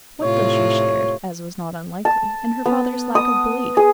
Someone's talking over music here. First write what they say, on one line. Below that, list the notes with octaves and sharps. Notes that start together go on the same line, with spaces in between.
What though she shared--as was not unlikely--in her father's lack of belief?
A2 C3 F4 C#5
A5
B3
D#6
G#4